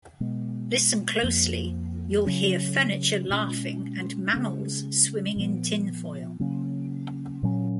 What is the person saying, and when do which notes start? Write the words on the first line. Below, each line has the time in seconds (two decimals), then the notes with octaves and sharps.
Listen closely, you'll hear furniture laughing and mammals swimming in tinfoil.
0.20 B2 G#3 B3
1.23 F2 F3 A#3
2.26 C#3 F#3 C#4
3.30 B2 G#3 C#4
4.33 C#3 G#3 C#4
5.36 A#2 F3 B3
6.39 C#3 F#3 A#3 C#4
7.43 A#2 F#3 C#4